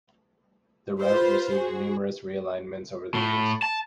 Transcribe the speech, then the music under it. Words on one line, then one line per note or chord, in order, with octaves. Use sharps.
The route received numerous realignments over the years.
F4 B4 C5
F#4 G#4
A2
A5